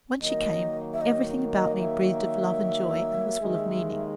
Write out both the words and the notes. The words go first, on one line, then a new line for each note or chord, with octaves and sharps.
When she came, everything about me breathed of love and joy and was full of meaning.
D#3 F#3 A#3 D#5
E5
D#5
D#5
E5
D#2 D#3 G#3